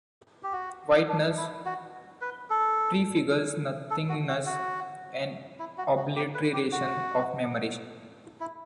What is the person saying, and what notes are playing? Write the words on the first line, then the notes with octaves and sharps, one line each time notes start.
Whiteness prefigures nothingness and obliteration of memory.
G4
F#4
D4
E4
F#4
B4
A4
A4
F#4
F#4
F#4
E4
F#4
F#4
G4
B4
G4
F#4
E4